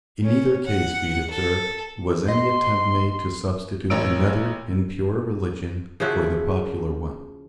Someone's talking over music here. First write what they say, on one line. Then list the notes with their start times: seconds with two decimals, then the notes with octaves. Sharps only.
In neither case, be it observed, was any attempt made to substitute another and purer religion for the popular one.
0.24 C#4
0.66 F#5
1.31 A4
2.28 D#5 C6
3.90 A1 A#4 C#5 E6 D7
6.00 C#3 F3 E4 F#4